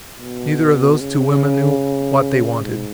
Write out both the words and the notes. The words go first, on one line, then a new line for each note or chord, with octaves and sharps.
Neither of those two women knew what they wanted.
B2
C#3
G#2